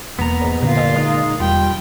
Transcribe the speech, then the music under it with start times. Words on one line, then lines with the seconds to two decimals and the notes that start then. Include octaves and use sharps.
over time.
0.19 E1 A#3 B3 A#5
0.62 A#2 D3 A#3 F4
0.96 G#3 D#4
1.40 E1 G3 F4 G5